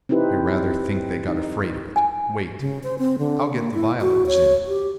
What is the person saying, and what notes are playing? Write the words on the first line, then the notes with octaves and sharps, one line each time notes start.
I rather think they got afraid of it. Wait, I'll get the vial it was in.
C4 D#4 E4 G4 B4
D#4
G#5
C#3
C5
C4
D3
A#3
E4
F#4
C#5
G4